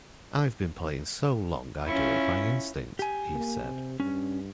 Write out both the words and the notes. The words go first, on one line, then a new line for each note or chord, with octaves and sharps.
"I've been playing so long I do it by instinct" he said.
C#4 E4 F4 C#6
G4 G#5
A#3
C3
G2 C#4